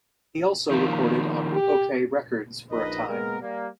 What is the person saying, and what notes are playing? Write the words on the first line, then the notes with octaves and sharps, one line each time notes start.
He also recorded on Okeh Records for a time.
D#3 F3 A#3
G4
A#1 D#4 A#4 B4 D#5
G#3 A#3 B3 A#4
G3 A#3